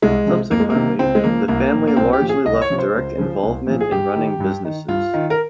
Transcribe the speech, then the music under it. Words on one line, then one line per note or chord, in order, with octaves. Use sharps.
Subsequently, the family largely left direct involvement in running businesses.
C2 G#3
C3 F3
F2 A#3
G#3
A#3
C3 D#3
C#2 C4
G#3
C#3 F3 A#3
C2 A#3
A#2 F3
A#3
C2 C4
G4
A#2 F3
G#4
C2 D#5
C#5
C3 F3
C5
C#2
C#3 F3
C2
A#2 F3
G#4
G2 G4
D#3
G2
D#3
G2 F4
D#3
A#4